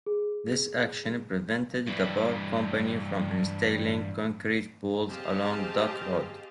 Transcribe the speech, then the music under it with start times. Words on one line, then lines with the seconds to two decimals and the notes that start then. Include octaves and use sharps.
This action prevented the power company from installing concrete poles along Duck Road.
0.06 G#4
1.87 G2 E3
5.08 C4 G4 G#4 D#5 F5 A5